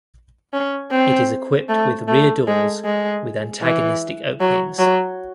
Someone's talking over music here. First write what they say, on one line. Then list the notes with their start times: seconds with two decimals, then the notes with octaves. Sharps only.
It is equipped with rear doors with antagonistic openings.
0.53 C#4
0.91 C4
1.69 A3
2.08 A3
2.47 G#3
2.85 G#3
3.63 E3
4.40 F#3
4.79 F#3